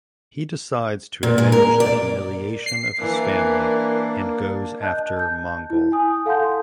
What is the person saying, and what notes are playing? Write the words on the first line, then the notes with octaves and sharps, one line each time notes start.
He decides to avenge the humiliation of his family and goes after Mangal.
A#2
G#3
A#4
D5
C7
E3 A#3 D4 A#4
D#5 A5 F#6 G6
A5 G6
E4
G#5 D#6
A4 F5 F#5 A5 C6 G6